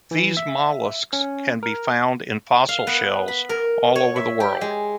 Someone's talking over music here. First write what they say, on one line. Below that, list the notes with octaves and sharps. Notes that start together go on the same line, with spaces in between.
These molluscs can be found in fossil shells all over the world.
E3
E5
C#4
A#4
F5
B3
B5
A#4
C#5
E5
G4
G#3